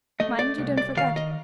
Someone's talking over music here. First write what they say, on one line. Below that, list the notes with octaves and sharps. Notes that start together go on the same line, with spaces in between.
'Mind you don't forget.
A3 D#5
D5
C2
D5
D#3 F5
D#5